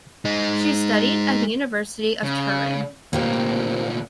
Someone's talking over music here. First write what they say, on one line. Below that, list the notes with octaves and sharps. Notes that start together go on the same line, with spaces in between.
She studied at the University of Turin.
G#3 D#4
C#3
D2 A#2 A#3 C4 G4